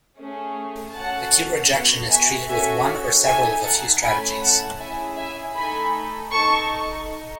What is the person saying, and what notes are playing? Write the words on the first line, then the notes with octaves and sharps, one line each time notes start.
Acute rejection is treated with one or several of a few strategies.
A3 C#4 G#4
C#4 F#4 A4 F#5 A5
B3 F#4 A4
E5 G#5
C#4 F#4 A4 E5 G#5
D#4 A4 E5 G#5
F#5 A5
A3 C#4 E4 G#5 B5
F#5 A5
C#4 E4 G#4 E5 G#5
E5 G#5
A3 D#4 A4 G#5 B5
D#4 A4 A5 C#6
D#4